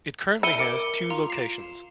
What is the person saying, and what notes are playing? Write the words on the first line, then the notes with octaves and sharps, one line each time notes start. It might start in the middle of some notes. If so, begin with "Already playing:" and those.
It currently has two locations.
E4 C#7 D#7 G7
A#4 D6 C#7 D7
F4 A#5
C7 E7